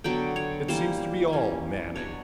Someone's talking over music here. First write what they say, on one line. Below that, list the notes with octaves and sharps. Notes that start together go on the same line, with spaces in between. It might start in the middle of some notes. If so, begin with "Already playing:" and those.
"It seems to be all Manning!"
D3 F#3 B3 G5
C#5
E3 G3 A#3 C5
E3 G3 A#3 C#4
B2 F#3 B3 D4 C#5